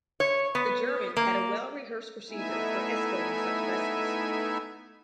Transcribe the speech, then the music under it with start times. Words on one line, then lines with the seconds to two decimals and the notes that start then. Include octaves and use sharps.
The Germans had a well-rehearsed procedure for escorting such vessels.
0.20 C#5
0.55 B3
1.17 A#3
2.30 A3 B3 D#4 E4 E5 G#5